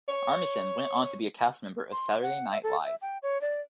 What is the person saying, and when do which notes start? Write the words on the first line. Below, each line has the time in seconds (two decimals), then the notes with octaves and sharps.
Armisen went on to be a cast member of "Saturday Night Live".
0.09 C#5
1.92 C6
2.23 F#5
2.51 E5
2.63 A4
2.84 E5
3.02 G5
3.23 C#5
3.41 D5